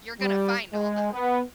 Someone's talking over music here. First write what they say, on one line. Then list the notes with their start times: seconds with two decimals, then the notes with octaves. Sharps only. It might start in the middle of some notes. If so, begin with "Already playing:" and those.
you're gonna find all that.
0.20 G3
0.73 G#3
1.12 B3